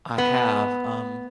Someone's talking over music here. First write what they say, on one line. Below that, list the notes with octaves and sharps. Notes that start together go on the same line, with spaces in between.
I have, um
B3